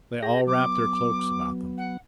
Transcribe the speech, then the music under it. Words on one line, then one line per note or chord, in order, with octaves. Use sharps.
They all wrapped their cloaks about them.
G#4 G5 A#6
F#3 B3 D6
F#5